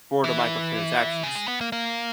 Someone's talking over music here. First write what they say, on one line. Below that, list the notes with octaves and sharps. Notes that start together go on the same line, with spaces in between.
for the microtransactions.
E3
C#3
G#3
B3
A#3
A#3